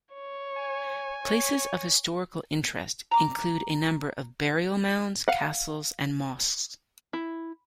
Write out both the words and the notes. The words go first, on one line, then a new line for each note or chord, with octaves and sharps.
Places of historical interest include a number of burial mounds, castles and mosques.
C#5
G#5
C#5
A#5 D6
F5 F#5
E4